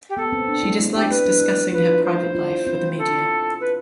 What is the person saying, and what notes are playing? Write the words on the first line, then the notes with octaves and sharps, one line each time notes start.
She dislikes discussing her private life with the media.
G4
B3 A4
C4
D4
E4
E4
D4 G4
C4 B4
D4
E4
F4 B4
E4
C5
F4
E4
C4
A4
B4